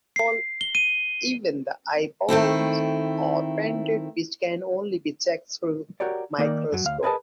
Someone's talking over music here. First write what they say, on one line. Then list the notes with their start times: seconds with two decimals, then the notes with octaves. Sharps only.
Even the eyeballs are painted, which can only be checked through microscope.
0.16 C7
0.61 G7
0.75 D#7
2.29 D#3 A3 C4 E4
6.00 F#4 G4 A#4 C#5 D5
6.38 D#3 A#3 D#4 A#4 D5
6.72 F#2 F#3
6.85 D2 F5
7.03 G#4 A#4 B4 D5 D#5 A5